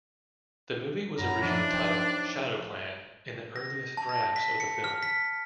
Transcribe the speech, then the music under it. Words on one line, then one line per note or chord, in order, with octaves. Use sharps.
The movie was originally titled "Shadow Clan" in the earliest drafts of the film.
F#2 E4 A#5
F3 D4 D#4 E5
G4 C5
A#6
A5
A#6
B6
C#7
F6
B6